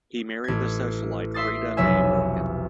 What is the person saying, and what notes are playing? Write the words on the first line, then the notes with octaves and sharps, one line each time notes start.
He married the socialite Freda May Birkin.
A1 G#6
E5 C6 D#6 A6
F1 B1 C#5 E5 G#5